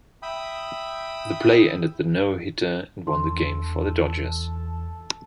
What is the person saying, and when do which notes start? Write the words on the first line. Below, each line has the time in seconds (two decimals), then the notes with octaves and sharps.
The play ended the no-hitter and won the game for the Dodgers.
0.22 E5 G5 B5 D#6
3.07 E2 E3 D4 A4 C6